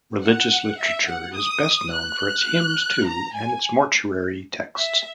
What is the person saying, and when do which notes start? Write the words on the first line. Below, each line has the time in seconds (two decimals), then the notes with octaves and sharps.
Religious literature is best known for its hymns to and its mortuary texts.
0.23 F#5
0.80 E5
1.08 F#5
1.36 D#6
1.93 F#6
3.07 A#5
3.35 G#5
4.77 E5